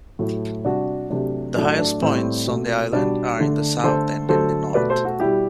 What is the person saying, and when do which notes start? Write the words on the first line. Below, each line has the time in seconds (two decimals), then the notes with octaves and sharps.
The highest points on the island are in the south and in the north.
0.19 A2 F#3 A3
0.65 C3 G3 D4 F#4
1.10 C3 F#3 A3 D4
1.56 A2 F#3 A3 D4
1.79 D4
2.02 A2 G3 C4
2.47 B2 A3
2.92 B2 G3 D4
3.39 D3 A3
3.84 D3 A3 A4 C5
4.29 D3 F#3 A3 A4 C5
4.74 B2 A3 B4 D5
4.90 A4 C5
5.05 F#4 A4
5.20 B2 G3 E4 G4